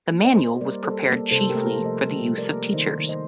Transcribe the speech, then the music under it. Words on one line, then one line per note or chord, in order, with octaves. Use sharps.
The manual was prepared chiefly for the use of teachers.
A#3
C5 D#5
A#3
G3 A#4 D5
G3 A4 C5
A#3
C3 A4 C5
G4 A#4
A3
A4 C5
F3
C5 D#5
G3
G3
A#4 D5
A#3
D#3 C5 D#5
D#3
C5 D#5